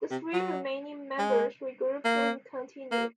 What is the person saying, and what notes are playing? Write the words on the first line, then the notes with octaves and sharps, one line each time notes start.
The three remaining members regrouped and continued.
C3
F#3
G#3
A#3
A#3